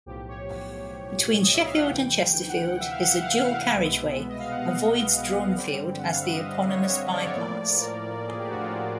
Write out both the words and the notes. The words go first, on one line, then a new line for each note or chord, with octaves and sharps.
Between Sheffield and Chesterfield is a dual carriageway, avoids Dronfield as the eponymous by-pass.
B1 A2 F3 G4
C#5
D#5
E5
F5
F#5
D2 C3 E3 G5
G5
F#5
E5
F5
F#5
F5
C2 B2 G#3 B3 E5
E5
D#5
F5
F#5
F#5
G2 D3 G3 C4
F#5
F5
E5
D#5
D#5
C#5
C#5
C#5
D5
C#5
A2 F3 A#3 D5
A#4
G#4
G4
F#4
F4